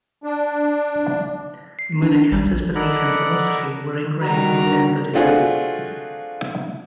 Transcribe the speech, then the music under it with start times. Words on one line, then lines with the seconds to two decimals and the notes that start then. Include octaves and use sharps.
Munakata's belief and philosophy were engrained in Zen Buddhism.
0.24 D4
1.79 C7
2.02 D4
2.32 A1
2.75 A4 A#4 D5 D#5 F#5 B5
4.22 D#3 G3 F#4 A#5
4.58 D4 A#4
5.13 A3 C4 D4 F4 F#4 G#4